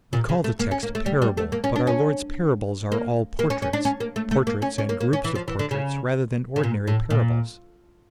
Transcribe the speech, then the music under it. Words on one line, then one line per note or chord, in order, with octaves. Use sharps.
We call the text a parable, but our Lord's parables are all portraits--portraits and groups of portraits, rather than ordinary parables.
A#2
C#3
A3
A#3
C#4
A#3
A3
G3
G3
A3
A#3
C#4
D4
C#4
A#3
A#3
C#4
C#4
D4
C#4
A#3
A3
A3
A#3
C#4
C#4
A#3
A#3
C#4
E3
F3
E3
D3
C#3
C#3
A#2
A2
A#2